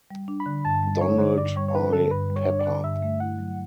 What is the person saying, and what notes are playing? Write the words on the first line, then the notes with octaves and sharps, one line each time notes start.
Donald I. Pepper.
G3
D4
B5
D3
G2 A5
G3
D4 C#5
D3
G2 D5
G3 C#5
C#5
D4 B4
D3 A4
G2 B4
G3
C#5
D4
D5
D3
G2 E5
A3
E4 F#5
F#3